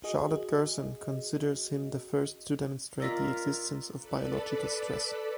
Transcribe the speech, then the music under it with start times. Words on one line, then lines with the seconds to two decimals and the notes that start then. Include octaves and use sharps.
Charlotte Gerson considers him the first to demonstrate the existence of biological stress.
0.04 F#4 G#4 D#5
3.00 F4 A#4 D5 D#5 E6 A#6 B6
3.95 A4 B4 D5 B5